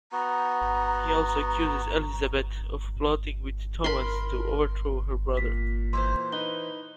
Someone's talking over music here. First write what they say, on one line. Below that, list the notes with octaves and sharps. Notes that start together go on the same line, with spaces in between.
He also accuses Elizabeth of plotting with Thomas to overthrow her brother.
B3 F#4 A#5
A#4 B5 C6
A#2 B6
E3 A#3 C5 C6
D#4 B4 G7